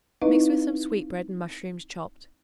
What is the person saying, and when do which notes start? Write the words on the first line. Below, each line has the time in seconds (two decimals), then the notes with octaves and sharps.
Mix with some sweetbread and mushrooms chopped.
0.22 C4 D#4 E4 B4 D#5 F5